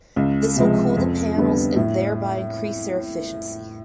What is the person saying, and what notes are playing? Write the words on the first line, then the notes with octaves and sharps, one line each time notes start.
This will cool the panels and thereby increase their efficiency.
C#2
C3 F3 G#3
F2
D3 G3 B3
A2